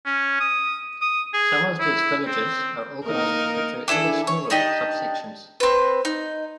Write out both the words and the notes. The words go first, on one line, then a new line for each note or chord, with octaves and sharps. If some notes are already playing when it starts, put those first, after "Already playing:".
Some of these villages are organized into even smaller subsections.
C#4
D#6
D#6
G#4
E4
C4
A#3 D#4 A#4
D4 E4 G#4 A4
C#5
D4 D#4 G4 D#5
C4 B4
D#4